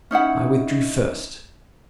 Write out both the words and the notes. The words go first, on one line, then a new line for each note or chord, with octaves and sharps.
I withdrew first.
C#4 D#4 E4 F#5